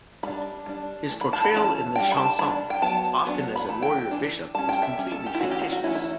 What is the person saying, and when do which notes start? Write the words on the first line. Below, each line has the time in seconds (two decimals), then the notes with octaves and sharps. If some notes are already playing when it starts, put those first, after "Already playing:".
His portrayal in the "chansons", often as a warrior-bishop, is completely fictitious.
0.23 G3 B5
0.27 D4
0.66 G3 D4
1.09 E3 A3
1.21 B5
1.33 A5
1.45 B5
1.52 E3 A3 C#4 A5
1.96 G3 D4 G5
2.12 B5
2.17 A5
2.39 G3 B5
2.43 D4
2.70 G5
2.82 F#3 B3 A5
3.25 F#3 B3 D4
3.56 B5
3.68 E3 A3
3.82 G5
4.11 E3 A3 D4
4.54 G3 C#4 A5
4.69 G5
4.83 E5
4.98 G3 C#4
5.12 A4
5.26 G4
5.35 E4
5.40 E3 A3 C#4 F#4
5.51 G4
5.62 F#4
5.73 F#4
5.83 E3 A3 C#4 E4
5.95 E4